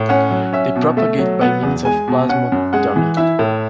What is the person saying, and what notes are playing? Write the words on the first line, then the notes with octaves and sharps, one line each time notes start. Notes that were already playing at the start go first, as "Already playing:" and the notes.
They propagate by means of plasmotomy.
Already playing: A2
C#4 F#5
F#3
C#4 E5
B2
A3 E5
F#3
B3 F#5
E2
G#3 G#5
B2
C#4 F#5
F#2
G#3 F#5
E3
E4 E5
A2